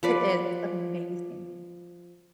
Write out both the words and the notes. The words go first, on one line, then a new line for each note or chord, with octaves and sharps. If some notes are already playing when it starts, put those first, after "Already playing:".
It is, it's amazing.
F3 B4 D5